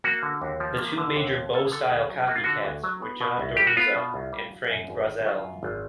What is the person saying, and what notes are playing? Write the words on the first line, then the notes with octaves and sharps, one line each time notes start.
The two major Bo-style copycats were John Dorusa and Frank Brazzell.
A#3 F#4
D3
D#2
F3
A#3
D3
D#2
F3
A#3 A4
G#4
D3 A4
D2 G#4
F#3
A#3 F#4
F4
D3 F#4
D2
F#3
B3
B2
C2
G3 G4
F#4
B3 F4
B2
C2
G3
F#3
F#2
G#1
D#3
F#3 F4
F#2
G#1